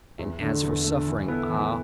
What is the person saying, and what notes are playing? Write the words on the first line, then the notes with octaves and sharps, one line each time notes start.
And as for suffering--ah!
E2
D3 A3
E2
D3 A3
E3
B3 E4 A4
E3